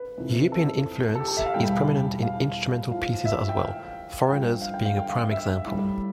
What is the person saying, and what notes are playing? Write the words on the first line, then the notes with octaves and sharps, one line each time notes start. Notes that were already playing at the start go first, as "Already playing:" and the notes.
European influence is prominent in instrumental pieces as well, "Foreigners" being a prime example.
Already playing: B4
F2 C3 E3
A4
A4
G4
A4
E5
F5
E2 B2 G3 G5
F5
A2 F3 F5
E5
G5
F5
G2 F3 G5
F5
G5
F5
G5
F5
E5
A2 G3